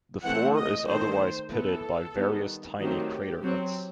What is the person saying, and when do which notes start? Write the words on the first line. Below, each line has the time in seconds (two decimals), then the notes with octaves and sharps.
The floor is otherwise pitted by various tiny craterlets.
0.24 E3 A3 C4 F#5
0.56 D#5
0.87 D#3 A3 C4 C5
1.52 E3 B3 A4
2.16 D#3 G3 B3
2.79 D#3 F#3 A3 C4 G4
3.43 F#3 C4